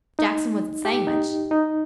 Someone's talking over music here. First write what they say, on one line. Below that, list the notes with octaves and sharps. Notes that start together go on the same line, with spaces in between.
'Jackson wasn't saying much.
D#4
G4
D#4
D#4